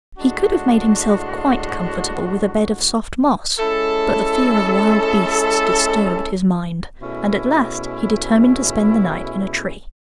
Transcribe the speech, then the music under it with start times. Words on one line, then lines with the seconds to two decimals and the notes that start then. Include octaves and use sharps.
He could have made himself quite comfortable with a bed of soft moss, but the fear of wild beasts disturbed his mind, and at last he determined to spend the night in a tree.
0.18 A2 G#3 D4 F#4
3.60 G#3 C#4 E4 A4
7.01 B2 A3 C#4 E4 G#4